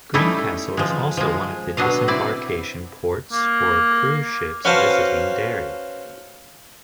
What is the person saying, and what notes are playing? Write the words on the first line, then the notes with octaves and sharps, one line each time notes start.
Greencastle is also one of the disembarkation ports for cruise ships visiting Derry.
G3 A3 C#4 D#4 E4
F3 G#3
F3 G#3
B2 F#3 D4 D#5 F5
C4 E4 D5
A#3
C#4 F#4 B4 C5 F5 A5